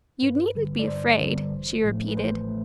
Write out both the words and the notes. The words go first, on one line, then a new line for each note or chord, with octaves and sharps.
"You needn't be afraid," she repeated.
G2 B4
D3 G3
D5
G2 C5
D3 G3
A1
A2 F3 A3
B4
A1 C5
A3